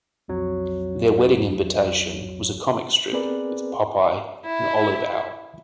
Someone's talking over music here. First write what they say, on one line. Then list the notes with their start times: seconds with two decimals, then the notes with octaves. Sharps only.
Their wedding invitation was a comic strip with Popeye and Olive Oyl.
0.28 B1 F2 F#3 C#5
3.13 B3 C4 G#4 A#4 B4 D5
4.45 E4